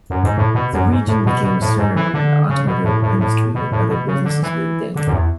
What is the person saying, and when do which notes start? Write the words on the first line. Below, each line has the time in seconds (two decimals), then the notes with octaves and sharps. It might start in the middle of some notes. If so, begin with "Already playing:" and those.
The region became a centre of the automobile industry, and other businesses moved in.
0.10 F#2
0.24 G#2
0.38 A2
0.55 B2
0.73 F#2
0.91 G#2
1.08 A2
1.26 B2
1.43 B2
1.61 A2
1.78 G#2
1.96 E3
2.14 D3
2.49 C#3
2.67 B2
2.84 A2
3.02 A2
3.20 A2
3.55 B2
3.72 A2
3.89 B2
4.07 C#3
4.24 D3
4.43 E3
4.96 D3
5.07 F#2
5.13 E2